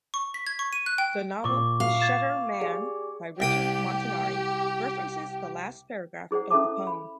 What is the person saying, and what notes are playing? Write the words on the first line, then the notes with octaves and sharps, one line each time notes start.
The novel "Shutter Man" by Richard Montanari references the last paragraph of the poem.
C#6
B6
G#6
C#6
D#7
F#6
G5
A#2 C#6 D6
F5
G#6 A6 E7
G4 G#4 D5
C2 G4 G5 D#6
E4 G#4 C5 D5 F#5
C#4 E4 A4 E5 A5 D6
B5